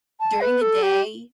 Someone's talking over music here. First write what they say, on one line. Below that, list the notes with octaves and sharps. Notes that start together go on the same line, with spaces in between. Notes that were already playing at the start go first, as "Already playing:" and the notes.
during the day,
A5
B4
A4
G4